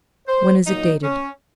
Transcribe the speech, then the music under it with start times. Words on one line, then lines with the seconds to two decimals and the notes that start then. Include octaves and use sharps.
When is it dated?
0.27 C5
0.66 A#2 F#3 D#4
1.03 C#4